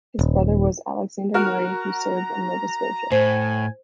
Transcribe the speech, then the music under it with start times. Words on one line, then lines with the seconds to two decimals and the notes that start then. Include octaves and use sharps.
His brother was Alexander Murray who served in Nova Scotia.
0.19 D#1
1.34 F#4 A#4 A#5 F6
3.12 A2 C5 G#5